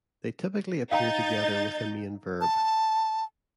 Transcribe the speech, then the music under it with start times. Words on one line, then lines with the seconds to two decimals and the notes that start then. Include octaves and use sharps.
They typically appear together with a main verb.
0.91 D#4 F5 G5 A#5 G6 A6
2.41 A5